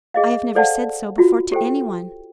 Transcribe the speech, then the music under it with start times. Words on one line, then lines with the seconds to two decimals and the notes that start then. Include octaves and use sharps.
I have never said so before to any one.
0.14 G#4 D#5 F5
0.55 A4 C5 D5 F5 F#5 A5
1.18 F4 F#4
1.52 G4 A4 C5 G5